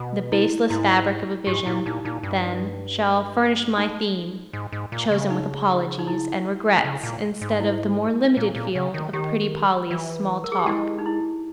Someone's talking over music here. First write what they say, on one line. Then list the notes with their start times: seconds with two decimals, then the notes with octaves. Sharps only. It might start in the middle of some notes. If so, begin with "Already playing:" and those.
The baseless fabric of a vision, then, shall furnish my theme--chosen with apologies and regrets instead of the more limited field of pretty Polly's small talk.
Already playing: B2
0.32 E4
0.70 G#2 E4
1.47 G#2 G4
1.66 A#2 E4
1.86 A#2 D#4
2.05 A#2 D#4
2.23 G2
3.78 D#4
4.53 G#2
4.72 G#2
4.92 A#2
5.11 C#3
5.30 D#4
5.99 D#4
6.07 E4
6.84 C#3
7.03 A#2
7.41 G#2
7.60 E4
8.37 A#2
8.56 A#2
8.75 C#3
8.94 D#3
9.13 D#3 G4
9.91 E3
10.44 A#4
10.52 G#4
10.59 G4
10.67 G#3 E4
10.99 D#4
11.06 E4